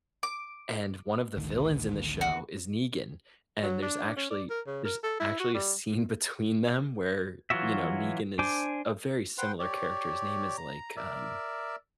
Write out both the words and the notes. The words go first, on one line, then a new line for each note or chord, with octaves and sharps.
and one of the villains in the show is Negan and there's actually there's actually a scene between them where, you know, Negan is a very similar character. His name is like, um,
D6
A1 D2 D#3
F#4
F#3
D4
C#4
D5
A#4
C#3
A#4
A4
E4
F#4
G3
E3 F#3 F4 F#4 E5
D4 C5 G#5 D6
B4 C5 F#5 G5 C6
G4 C#5 D5
A#5
A#4 D5 E5